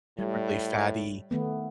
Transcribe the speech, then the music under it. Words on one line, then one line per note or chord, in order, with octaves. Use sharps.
really fatty,
A2 G3
D#3 A3 B3